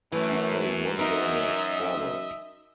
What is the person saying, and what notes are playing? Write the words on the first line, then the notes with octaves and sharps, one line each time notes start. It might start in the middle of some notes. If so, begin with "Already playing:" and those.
He played one game as forward.
F#2 E3 A3
D#4 A#4 D#5 E5